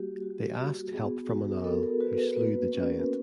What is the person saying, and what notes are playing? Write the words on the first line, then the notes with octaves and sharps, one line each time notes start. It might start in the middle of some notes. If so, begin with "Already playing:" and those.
They asked help from an owl, who slew the giant.
Already playing: G3 A#3 F#4 G4
F#4
F#4
B3 G#4
F#4
A#4
B3 A4
A#4
F#4 B4
B4
A#3 B4
C#4
A#4